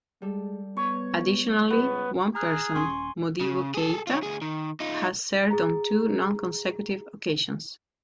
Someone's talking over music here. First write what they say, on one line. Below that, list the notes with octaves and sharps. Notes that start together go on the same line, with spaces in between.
Additionally, one person, Modibo Keita, has served on two non-consecutive occasions.
G3 G#3 A4
B3 C#5
C#2 B3
G#4 A#5 F6 F#6
D#1 C#4 G#5 C6 C#6
C#3
G#4 A4
F4 C#5
D2 G#4
D#3
D#4 F4
G#4 A#5